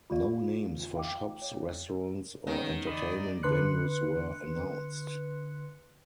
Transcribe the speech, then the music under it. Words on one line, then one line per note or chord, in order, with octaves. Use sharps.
No names for shops, restaurants or entertainment venues were announced.
F4 G4 D5 F5
F5 G5 D6
C#5
A#4
D#3 G#3 B3 C#4
D5 D#5 B5 D#6
D3 B4 C6 F#6 C#7